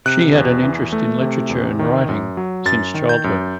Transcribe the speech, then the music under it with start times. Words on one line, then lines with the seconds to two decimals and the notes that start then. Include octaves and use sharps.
She had an interest in literature and writing since childhood.
0.06 C3 F#6
0.35 E2
0.64 E3
0.93 A3
1.21 C3
1.50 E2
1.79 D#3
2.09 F#2
2.37 F#3
2.65 F#2 A6
2.94 D#3
3.09 G6
3.24 F#2